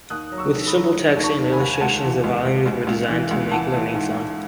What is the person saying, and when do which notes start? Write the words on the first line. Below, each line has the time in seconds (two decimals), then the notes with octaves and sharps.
With simple texts and illustrations, the volumes were designed to make learning fun.
0.10 D#2 D#6 F#6
0.32 F#3
0.38 C#6 E6
0.53 D#3
0.67 B5 D#6
0.74 F#3
0.95 D#3
1.17 D#2
1.24 A5 C#6
1.38 D#3
1.52 G#5 B5
1.60 D#2
1.75 G#5
1.81 C#2 F#5 A5
2.02 E3
2.24 C#2
2.45 C#2
2.66 C#2
2.87 C#2
3.09 E3
3.31 C#2
3.51 E3 F#5 A5
3.74 E3
3.94 G#2
4.16 G#2